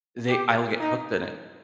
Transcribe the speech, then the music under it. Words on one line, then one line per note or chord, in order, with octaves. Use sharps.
they I will get hooked in it,
G4
D#4